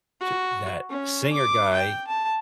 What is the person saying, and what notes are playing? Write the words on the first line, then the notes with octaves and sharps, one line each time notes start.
t that singer guy,
F#4
C#4
D6
G5
A5